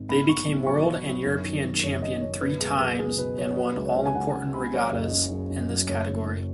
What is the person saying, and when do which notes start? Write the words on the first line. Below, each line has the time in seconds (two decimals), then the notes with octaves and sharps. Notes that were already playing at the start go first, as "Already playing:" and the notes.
They became world and European champion three times and won all important regattas in this category.
Already playing: G#1
0.09 B1 B5
0.28 B1 C#6
0.48 B1
0.67 F#3 C#6
0.86 B2
1.06 F#3
1.25 F#2
1.44 D#3
1.63 D#3
1.83 F#1 C#5
2.02 F#1 D#5
2.21 F#2 C#5
2.41 B2 B4
2.61 C#2 G#4
2.80 F#3 B4
2.99 C#2 G#4
3.18 B2 B4
3.38 F#3 C#5
3.52 C#5
3.56 F#3 B4
3.76 C#2
3.85 C#5
3.95 C#2
4.06 G#5
4.15 C#2 F#5
4.34 C#3
4.54 C#2 B5
4.73 F#3 C#5
4.92 F#1
5.02 D#5
5.11 C#3
5.31 F#2
5.50 F#2
5.70 F#3
5.88 F#1 C#5
6.08 F#1
6.27 F#2